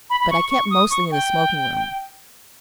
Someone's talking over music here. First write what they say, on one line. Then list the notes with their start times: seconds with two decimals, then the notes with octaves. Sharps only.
But I kept mostly in the smoking-room.
0.10 B5
0.20 B5
0.31 C#6
0.50 C#6
0.71 D#6
0.90 C#6
1.12 G5